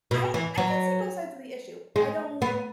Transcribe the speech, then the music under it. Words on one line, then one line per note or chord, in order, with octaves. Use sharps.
I I can see both sides of the issue. I don't
B2
E3
F#3
G#3
B3